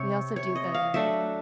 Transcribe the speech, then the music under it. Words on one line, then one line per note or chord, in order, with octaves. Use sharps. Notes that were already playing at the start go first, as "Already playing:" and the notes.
We also do the
Already playing: C3 C#5
C#5
D#5
F5
F#3 A3 D4 E5